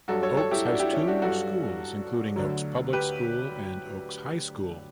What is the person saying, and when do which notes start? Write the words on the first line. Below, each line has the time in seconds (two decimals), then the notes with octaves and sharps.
Oakes has two schools, including Oakes Public School and Oakes High School.
0.08 G2 F#3 F#4 A4
0.23 A4 C#5
0.37 A4 C#5
0.51 E4 G4
0.65 D4 F#4
0.80 E4 G4
0.93 C#4 E4
1.08 D4 F#4
1.22 G2 F#3 F#4 A4
2.36 D2 D3 F#3
2.93 G4 B4